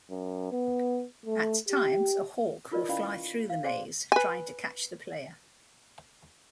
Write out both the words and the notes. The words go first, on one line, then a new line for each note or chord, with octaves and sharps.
At times, a hawk will fly through the maze, trying to catch the player.
F#2
B3
A3
G4
D#4 F4 A#4 B4 D5 D#5
C#4 E4 D5 F5 B5
C#6
F5
G#4 C5 D5 F5 C6
B4 G#5